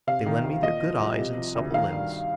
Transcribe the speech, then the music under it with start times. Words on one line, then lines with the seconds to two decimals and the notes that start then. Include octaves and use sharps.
They lend me their good eyes and supple limbs.
0.07 C3 F5
0.26 D#3
0.44 D2
0.62 A#2 D#5
0.82 F3
1.00 C2
1.19 C3
1.37 F3
1.55 D2
1.74 D#3 F5
1.92 G2